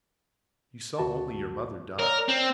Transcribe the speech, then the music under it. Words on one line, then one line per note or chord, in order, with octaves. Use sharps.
You saw only your mother die.
D2 F#4 A5
A#4 C#5 D5
C4